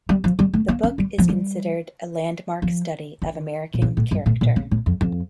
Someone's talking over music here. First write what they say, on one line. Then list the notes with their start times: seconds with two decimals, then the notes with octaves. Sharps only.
The book is considered a landmark study of American character.
0.09 G3
0.24 F3
0.39 G3
0.53 A3
0.68 A#3
0.83 C#4
0.98 G3
1.18 F3
1.29 G3
2.62 F3
3.22 D3
3.74 A#2
3.82 C#3
3.97 A2
4.11 G2
4.26 A2
4.41 A#2
4.56 C#3
4.71 A2
4.86 F2
5.01 F2